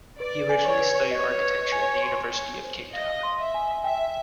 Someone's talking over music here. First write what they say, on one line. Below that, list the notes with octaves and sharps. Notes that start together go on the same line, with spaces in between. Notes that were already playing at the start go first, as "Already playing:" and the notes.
He originally studied architecture at the University of Cape Town.
B4 D5
G#5
C#5
B4
C#5 D#5
B4
G#5
C6
G#5
C5
D#5 F5
C6
E5
G#5
E5 G5